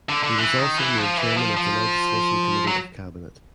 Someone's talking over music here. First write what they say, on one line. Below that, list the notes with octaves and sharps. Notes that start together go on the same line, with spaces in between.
He was also named Chairman of the Legislation Committee of Cabinet.
D3
D3
E3
D#3
E3
F3
E3
F3
F3
F#3